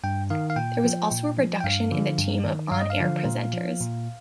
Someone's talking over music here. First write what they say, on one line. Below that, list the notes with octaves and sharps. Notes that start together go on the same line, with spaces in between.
There was also a reduction in the team of on air presenters.
G2 G5
D#3 F5
F5
A#2 G5
F3
A#2
F3
G5
G2 F5
D3 F3
G2
D#3
G2 F5
D#5
F5
D3 F3
A#2
F3
A#2